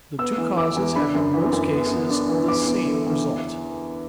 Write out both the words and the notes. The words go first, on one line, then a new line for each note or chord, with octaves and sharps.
The two causes have in most cases the same result.
B3 E6
E3
E2 D6
E2
D4 B5
F#2
E3
F#2
B3
B3
D4
E3
E2 D6
E2
D3
E2
E3